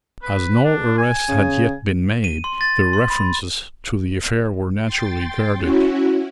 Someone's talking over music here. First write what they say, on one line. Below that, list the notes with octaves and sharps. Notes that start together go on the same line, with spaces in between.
As no arrest had yet been made the references to the affair were naturally guarded.
B4
D4
G#5
C#3
D#7
C6
A6
C6
B5
G5 C6 A6
C#4 E4 F#4